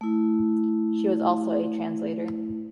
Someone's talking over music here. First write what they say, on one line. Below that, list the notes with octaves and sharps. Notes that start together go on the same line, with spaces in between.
She was also a translator.
A3 E4